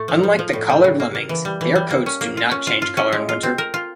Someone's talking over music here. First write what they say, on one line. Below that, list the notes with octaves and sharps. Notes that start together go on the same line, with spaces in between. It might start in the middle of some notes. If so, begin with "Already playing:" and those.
Unlike the collared lemmings, their coats do not change color in winter.
Already playing: A2 A3
F3
F3
F3
A2
G3
C#3
A#3
A#3
E3
G3
E3
G3
A#3
C#4
A#3
F4
C#4
F4
F4
C#4
G#3
F4
C4
A#4
F4